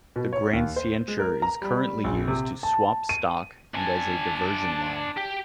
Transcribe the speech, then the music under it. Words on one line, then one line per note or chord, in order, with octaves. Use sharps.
The Grande Ceinture is currently used to swap stock and as a diversion line.
B2
C#5
D#2
C5
G#3
A#4
A#5
G3
A#1
C3
A5
D#7
D4 G#5 A5
G4